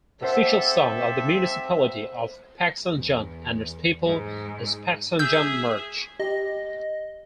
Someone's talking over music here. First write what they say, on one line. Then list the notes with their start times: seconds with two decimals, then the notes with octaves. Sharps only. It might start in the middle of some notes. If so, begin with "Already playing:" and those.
The official song of the Municipality of Pagsanjan and its people is "Pagsanjan March".
0.23 F3 C4 G4 A4 C5 E5 F#5
2.84 E2
4.06 G#2
5.19 G#4 E5 E6 G6
6.20 G4 D#5